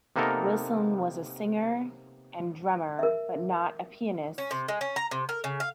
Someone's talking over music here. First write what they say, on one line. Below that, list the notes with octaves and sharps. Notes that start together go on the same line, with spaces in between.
Wilson was a singer and drummer, but not a pianist.
C3 A#3 B3 D#4 A4 A#4
A#4 E5
C#4
C3
G#3
C#4
A#5
C3
A#4
C#3
F5